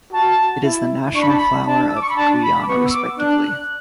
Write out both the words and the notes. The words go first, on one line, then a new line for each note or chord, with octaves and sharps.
It is the National flower of Guyana respectively.
F#4 A5
E4
D4 C#6
B5
A5
B5
D4 A5
E6
D6
C#6
B5
D4 A5
B5
D6
B3 C#6
E6
D6
D4 F#6